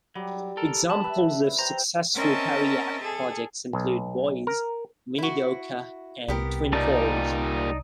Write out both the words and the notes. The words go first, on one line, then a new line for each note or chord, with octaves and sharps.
Examples of successful Carey Act projects include Boise, Minidoka and Twin Falls.
F#3 G3
A4 A#4
A5 B5
B4 E5
C5 G5 A#5
C4 C#4 A#4 D#5 E5 A5
G#4 A4
B1
A#4
E4 F#4
C2 B3 G4 A#4
A#2 G3 D#4 D5 A5